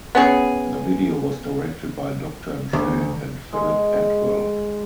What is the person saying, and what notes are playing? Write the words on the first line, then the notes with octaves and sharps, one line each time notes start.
The video was directed by Doctor Dre and Philip Atwell.
B3 C#4 G#4
D2
G#3